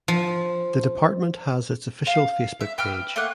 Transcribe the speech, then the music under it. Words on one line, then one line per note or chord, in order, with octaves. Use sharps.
The department has its official Facebook page.
F3
F5
E5
B4 G5 E6 F6
A3 A#3 F#5